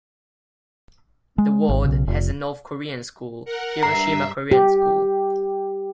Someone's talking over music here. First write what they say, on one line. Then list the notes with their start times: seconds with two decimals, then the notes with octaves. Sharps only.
The ward has a North Korean school, Hiroshima Korean School.
1.38 G#3
1.69 G#1
1.85 B1 C#3
2.08 F1
3.45 A#4 F#5
3.83 G2 E5 A#5 C7
4.51 G4